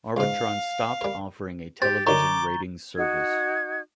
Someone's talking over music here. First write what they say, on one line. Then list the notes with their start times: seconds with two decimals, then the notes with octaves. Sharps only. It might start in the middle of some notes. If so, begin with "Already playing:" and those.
Arbitron stopped offering a television ratings service.
0.17 C#2 G#2 F5
1.01 G3 A#4
1.82 C4 G4 G6 A6
2.07 D3 D#3 F#3 A#5 C#6 D6 G7
2.97 D#4 F#4 G#6